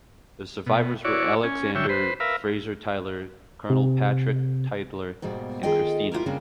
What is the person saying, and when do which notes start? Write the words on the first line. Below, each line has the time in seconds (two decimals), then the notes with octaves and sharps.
The survivors were Alexander Fraser Tytler, Colonel Patrick Tytler, and Christina.
0.66 B2
1.05 E4 F#4 C#5 D5
1.44 C#4 G#5
1.75 D3 F#3 C#5 E5 G5
1.89 B4 C5
2.20 A#4 B4 E5 F5
3.70 C3
5.22 G#2 B2 G3 A#3
5.63 D#3 F4 G#4 A4 D#5 G5
6.12 E4 F4 G4 A#4
6.26 C#3 G3 A#3 C#4 D4 G4